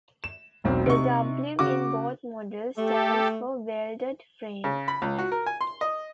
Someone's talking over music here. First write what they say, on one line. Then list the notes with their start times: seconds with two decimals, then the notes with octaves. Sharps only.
The "W" in both models stands for welded frame.
0.24 E7
0.64 E1 B1 C4
0.86 C3 D#4 C#6
1.59 C#3 F#4 D6
2.78 A3 G4 A4
4.64 C#3
4.88 B5
5.02 C#2
5.18 F#4
5.32 A#4
5.46 G#5
5.61 C6
5.81 D#5